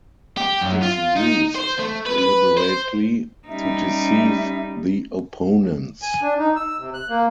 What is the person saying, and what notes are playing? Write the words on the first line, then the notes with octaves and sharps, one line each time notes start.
It is used deliberately to deceive the opponents.
G4
F#2
F4
D#4
C5
A3
B4
B4
C5
G3 C#4 D#4 E5
G#5
D4
D#4
E6
C3
F#6
A#3